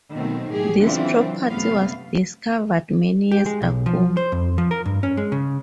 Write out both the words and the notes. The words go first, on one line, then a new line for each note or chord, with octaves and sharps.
This property was discovered many years ago.
B2 D#3 F#3 A3 C4
A2 F#3 G4 G#4
C#3 E3 F#3 C4 D4 F4
F#2 C3 A3 B3 F5
G4
G#3
B1
F3
C5
F2
F3
A#4
G2
C#4
G#3
C#3